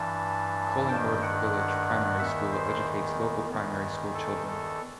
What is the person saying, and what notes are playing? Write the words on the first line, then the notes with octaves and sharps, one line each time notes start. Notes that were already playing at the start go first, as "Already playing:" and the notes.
Cullingworth Village Primary School educates local primary school children.
Already playing: G2 E3 A5
G2 D#3 G5
F#5
E2 D#3 E5
C5
E2 D#3
A4
A4